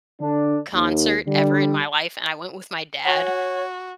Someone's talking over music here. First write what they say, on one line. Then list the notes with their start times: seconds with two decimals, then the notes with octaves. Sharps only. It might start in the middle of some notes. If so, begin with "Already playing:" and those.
concert ever in my life, and I went with my dad.
0.21 D3 D4
0.74 D#2
1.27 D3 G3
3.05 F#4 C#5 F#5 G#5